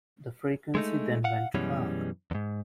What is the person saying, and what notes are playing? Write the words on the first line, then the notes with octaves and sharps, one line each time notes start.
The frequency then went dark.
G#3 A3 D#4
F5 F#5
F#2 B2 E3 G3 G#3 C#4
E2 G#2